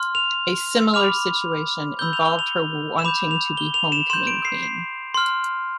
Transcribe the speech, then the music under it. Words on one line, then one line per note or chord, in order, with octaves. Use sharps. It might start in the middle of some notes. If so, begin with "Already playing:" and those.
A similar situation involved her wanting to be Homecoming Queen.
Already playing: C6 F6
F7
B5 D6 F6 F7
B5 E6 G6 G7
F7
G7
F7
E7
B5 D6 G6 F7
F7
G7
F7
E7
C6 G6 E7
D7
C7
C7
C6 F6